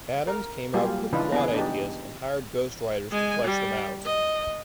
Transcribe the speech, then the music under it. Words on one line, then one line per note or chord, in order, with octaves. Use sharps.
Adams came up with plot ideas and hired ghostwriters to flesh them out.
A#4
F#3 G3 A#3 F4 G4 G#4
C#3 E3 D4 D#4 F4 B4
B3 C#4 G#4
D4 D#4 G4
G#3 G#5
G3
D#5